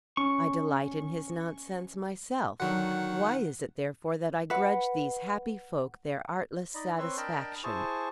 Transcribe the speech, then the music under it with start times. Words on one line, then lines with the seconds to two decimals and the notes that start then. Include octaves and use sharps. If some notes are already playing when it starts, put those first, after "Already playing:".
I delight in his nonsense myself; why is it therefore that I grudge these happy folk their artless satisfaction?
0.17 C#4 C#6
2.60 D3 D#3 F#3 F#4 F#5
4.50 B4 F#5
6.75 D#4 D5 D#5 B5
6.98 C4 B4 C#5 C6 C#6 E6
7.17 D4 A#4 D#5 G5 A5 B5
7.64 E4 G#4 C5 G#5 A5 C#6